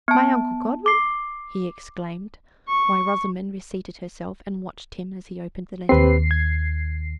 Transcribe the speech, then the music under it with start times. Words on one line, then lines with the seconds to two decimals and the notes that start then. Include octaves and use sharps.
"My uncle Godwin!" he exclaimed, while Rosamond reseated herself, and watched him as he opened the letter.
0.08 B3 A5
0.86 D6 C7
2.69 C#6
5.89 D#2 C4 G4 B4 C7
6.31 G#6